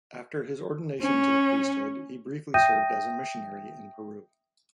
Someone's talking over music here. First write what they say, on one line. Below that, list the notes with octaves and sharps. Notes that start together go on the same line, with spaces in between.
After his ordination to the priesthood, he briefly served as a missionary in Peru.
C#4
E5 G5 D#6 G6 A#6 D#7